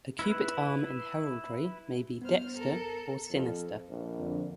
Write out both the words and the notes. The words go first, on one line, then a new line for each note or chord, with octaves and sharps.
A cubit arm in heraldry may be "dexter" or "sinister".
E4 B4
G2 B3 C5 F6
A4 A#4
F2
A#1
F2 D3